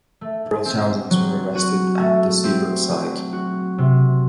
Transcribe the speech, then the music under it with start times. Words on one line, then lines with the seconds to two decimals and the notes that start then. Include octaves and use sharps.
Several thousands were arrested at the Seabrook site.
0.21 A3
0.65 C4
1.11 F#3
1.55 F#4
1.99 A3
2.44 C4
2.89 F#3
3.33 F#4
3.78 C3